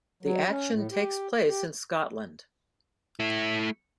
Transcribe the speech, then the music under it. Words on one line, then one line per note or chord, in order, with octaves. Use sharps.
The action takes place in Scotland.
F#3
C#4
A2
G4
G4
A3 E4